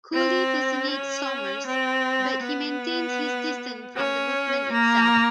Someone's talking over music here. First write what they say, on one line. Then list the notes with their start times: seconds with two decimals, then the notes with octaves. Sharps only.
Cooley fascinates Somers, but he maintains his distance from the movement itself.
0.14 C4
0.90 C#4
1.67 C4
2.43 B3
3.96 C#4
4.72 A#3